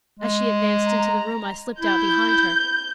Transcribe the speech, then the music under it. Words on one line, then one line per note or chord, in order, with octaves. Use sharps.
As she advanced into the room, I slipped out behind her.
G#3
A#5
E4 G6